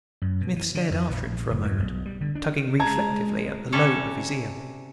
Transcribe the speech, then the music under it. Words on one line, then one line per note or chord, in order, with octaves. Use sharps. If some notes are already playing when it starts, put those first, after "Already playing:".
Smith stared after him for a moment, tugging reflectively at the lobe of his ear.
F#2
B2
E3
D3
F2
A#1
F#1
E2
B1
G3
D3
D4
G#3 A5 A#5 G#6
C3 C#4 E4 A4 C#5 D5